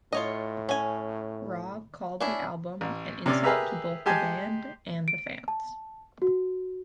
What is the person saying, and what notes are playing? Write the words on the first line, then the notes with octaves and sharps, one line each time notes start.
Robb called the album an insult to both the band and the fans.
A2 F4 C#5 D#5
C#4 G#5
C#4 D4 E4
A1
C3 C#4 D5
G4 G#4 A#4 B4 E5 A#5
G#3 G4 G#5 A5
D7
A5
F#4